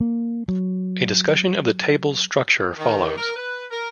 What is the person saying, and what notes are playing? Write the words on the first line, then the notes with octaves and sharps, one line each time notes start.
A discussion of the table's structure follows.
A#3
F#3
D#3
A#4
B4
A#4